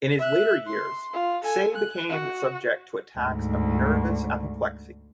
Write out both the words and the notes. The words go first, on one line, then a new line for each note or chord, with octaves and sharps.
In his later years Say became subject to attacks of nervous apoplexy.
E5 F#6
C6
F4
A4 G#5
F#6
F#4
D2 G#2